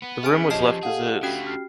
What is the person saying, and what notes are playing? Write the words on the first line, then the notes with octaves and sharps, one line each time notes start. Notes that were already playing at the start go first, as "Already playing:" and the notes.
The room was left as is.
B3
C#4 G#4 E5 G#5 F6 D7
F3 C#4 G4 D#5 A5 C7
G#4 A4 F5 F#5
D3 A3 C#4 F#4 G5
F6 C7